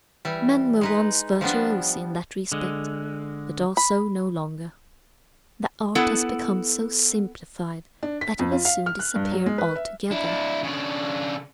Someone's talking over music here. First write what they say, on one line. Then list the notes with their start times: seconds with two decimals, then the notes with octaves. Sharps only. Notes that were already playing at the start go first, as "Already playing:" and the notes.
Men were once virtuosi in that respect, but are so no longer; the art has become so simplified that it will soon disappear altogether.
0.25 E3 G3
0.81 G#3 D#4 B4
1.41 F3 G3 B3 D4
2.52 D3 G#3
3.77 B5
5.95 B3 E4 A4 F#5
8.03 D4
8.21 B6
8.39 F2
8.52 F4
8.65 F5
8.86 F6
8.99 F#6
9.16 G2
9.32 F#3
9.46 G#3
9.58 B4
9.75 E5
10.11 D4 E4
10.63 C#3 D4